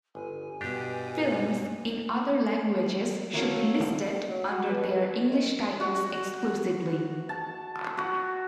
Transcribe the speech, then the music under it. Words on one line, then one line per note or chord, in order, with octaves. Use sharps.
Films in other languages should be listed under their English titles exclusively.
G1 G#5
G2 B2 D4 G4
F#3 A3 A#3 C#4
F#3
F#4
B2
E3
D#3
F#4
A5
F#4